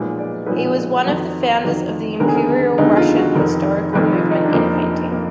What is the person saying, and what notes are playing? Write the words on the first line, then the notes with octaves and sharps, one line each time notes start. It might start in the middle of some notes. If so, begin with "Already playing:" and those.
He was one of the founders of the Imperial Russian historical movement in painting.
Already playing: B1 A#2 F3 G#3 B4
D5
B1 A#2 F3 G#3 B4
F2 D#3 F#3
F2 D#3 F#3
F1 D#2 D3 G#3 B3 A#4
G#4
A#4
F1 D#2 D3 G#3 B3 D#4
F4
F#4
F1 F2 D#3 A#4
F1 F2 D#3 B4
F4
D#4
D4
F1 F2 F3 A#3 D#4
F3 A#3